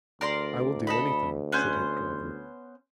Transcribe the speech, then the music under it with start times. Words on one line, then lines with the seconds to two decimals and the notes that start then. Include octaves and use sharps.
"I will do anything," said Hoopdriver.
0.21 D2 A#4 D5 C6
0.87 A4 D#5 B5
1.52 B3 C#4 C5